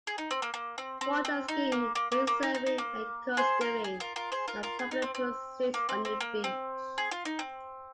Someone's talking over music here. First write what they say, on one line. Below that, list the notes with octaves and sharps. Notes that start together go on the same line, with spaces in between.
Water-skiing, windsurfing and coasteering are popular pursuits on the beach.
G#4
D#4
C4
A#3
A#3
C4
C4
C4
D#4
A#3
A#3
A#3
A#3
D#4
D#4
D#4
A#3
G#4 C5
F4 A#4
G#4
F4 A#4
F4 A#4
G#4 C5
F4 A#4
F4 A#4
G#4
D#4
C4
C4
A#3
C4
C4
A#3
C4
G#4
F4
D#4
C4